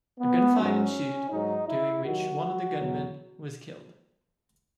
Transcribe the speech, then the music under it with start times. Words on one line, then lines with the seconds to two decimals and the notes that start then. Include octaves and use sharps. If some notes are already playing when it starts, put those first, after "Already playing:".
A gunfight ensued, during which one of the gunmen was killed.
0.20 B3
0.57 G#2 F#3 C#4
1.30 G#2 F#3 D#4
1.67 E4
2.04 D#2 D#3 F#3 F#4
2.77 E2 B2 F#3